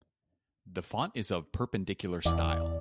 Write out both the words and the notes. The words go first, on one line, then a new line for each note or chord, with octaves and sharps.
The font is of Perpendicular style.
E2 D5